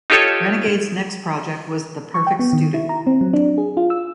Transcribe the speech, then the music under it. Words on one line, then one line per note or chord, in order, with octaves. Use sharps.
Renegade's next project was "The Perfect Student".
D#4 F4 G4 A4 C#5
C#6
G5
B3
D#3
E4
A#5
C4
F#3
D4
G#4
F4
E6